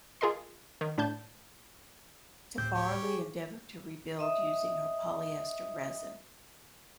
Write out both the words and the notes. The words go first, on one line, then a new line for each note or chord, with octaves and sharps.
Tabarly endeavoured to rebuild her using polyester resin.
F4 G#4 A#4 D#5 C6
D#3
A2 D4 A5 G6
D2 A2 C4 G4 G6
G4 C#5
G#4
D#5 E5 D#6